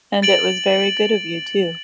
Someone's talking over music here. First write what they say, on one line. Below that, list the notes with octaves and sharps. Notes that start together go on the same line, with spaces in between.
And it was very good of you, too.
A6 D7 F#7